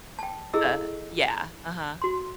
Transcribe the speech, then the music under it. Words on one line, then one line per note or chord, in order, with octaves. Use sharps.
Uh, yeah, uh-huh.
G5 A5
E4 G#4 A4 D#5 E6
F#4 C6